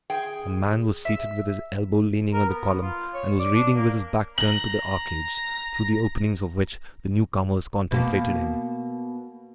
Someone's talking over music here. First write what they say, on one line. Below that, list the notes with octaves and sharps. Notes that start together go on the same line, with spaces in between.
A man was seated with his elbow leaning on the column, and was reading with his back turned to the arcades, through the openings of which the new-comers contemplated him.
G#4 G5
E5
A#4
B3
F4
C#5
D5
D4
A#3
A#5 F#7
B2 A#3